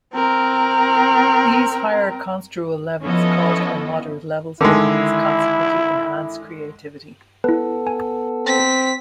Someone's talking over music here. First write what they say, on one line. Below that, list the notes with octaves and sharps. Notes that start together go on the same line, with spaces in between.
These higher construal levels caused by moderate levels of noise consequently enhance creativity.
C4 A#4
F3 B3 C#4 E4 A4 D#5
D3 D#3 G#3 E4
B3 E4 A4 B4
G#5
C4 B6